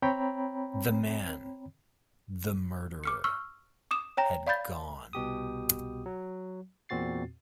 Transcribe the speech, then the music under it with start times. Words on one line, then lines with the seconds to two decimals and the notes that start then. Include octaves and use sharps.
The man — the murderer — had gone.
0.02 C4 C#5 G5 A#5 B5
3.04 D6 F6 C#7
3.24 C#6 E6 F6
3.91 D6 D#6 E7
4.17 C#5 G5 A#5 A#6
4.47 D5 F5 B5 G6 A6
5.13 C2 B2 G4 D#6
6.06 F#3
6.89 E2 A#2 C4 F#4 A6 C7